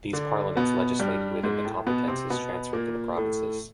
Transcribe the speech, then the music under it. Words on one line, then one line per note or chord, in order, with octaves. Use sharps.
These parliaments legislated within the competences transferred to the provinces.
D3 D4
B2 B3
G2 G3
G#2 G#3
A2 A3
B2 B3
C3 C4
B2 B3
A#2 A#3
A2 A3